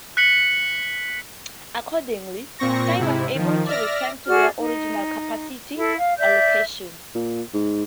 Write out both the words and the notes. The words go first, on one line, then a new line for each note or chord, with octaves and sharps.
Accordingly, Sky was able to return to their original capacity allocation.
F#6 B6 C#7 F#7
A#2 C4 C#6 A#6
G#2 C3 E4
D#3 F3
D5 E5 F6 A#6
F#4 G#4 D5 F6
D#4
E4 A4
F5
D5 E5 G6
A#2
G#2